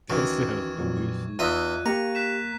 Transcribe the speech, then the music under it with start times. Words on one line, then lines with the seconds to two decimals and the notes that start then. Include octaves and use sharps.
that sounds delicious.
0.10 D2 D#3 E3 C#4 F#4 C#6 G#6
0.78 F2 A#2 F#3
1.39 E2 D#4 F4 D#5 E5 F#6 D#7
1.86 A#3 G4 F5 A#5 C#6
2.15 F#6 B6 E7